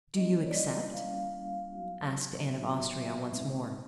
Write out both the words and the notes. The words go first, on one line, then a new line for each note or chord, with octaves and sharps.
"Do you accept?" asked Anne of Austria, once more.
G3 A#3 C#4 E4 D#5
C5
C#5
D5
D#5
G3 A#3 C#4 E4 F5
F#3 B3 D#4 F#4
F#3 B3 D#4 F#4 E5
G#3 C4 D#4